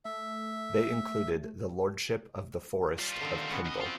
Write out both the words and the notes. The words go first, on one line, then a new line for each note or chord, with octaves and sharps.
They included the Lordship of the Forest of Pendle.
A3 E5
G3 F4
D3 D#3 C4
B3 C#4 F#4
D#2 D#5
C4 F4